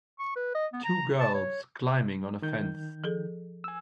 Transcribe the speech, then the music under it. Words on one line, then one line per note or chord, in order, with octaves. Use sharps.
Two girls climbing on a fence.
C#6
B4
D#5
B3
A#5
A5
C#5
D#3 G6
F3 G#4 A4
G#5 E6